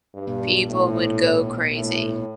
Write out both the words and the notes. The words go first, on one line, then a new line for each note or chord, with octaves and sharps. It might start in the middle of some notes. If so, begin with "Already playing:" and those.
People would go crazy.
G2
A2
A2